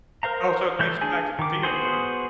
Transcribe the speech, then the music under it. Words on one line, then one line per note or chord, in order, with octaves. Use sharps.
Oh, so it takes you back to the field then.
A#4 C5 F5 A#5
E3 A3 G6
D4 G#4 G#5
D#3 D6
B3 F#4 G#4 C5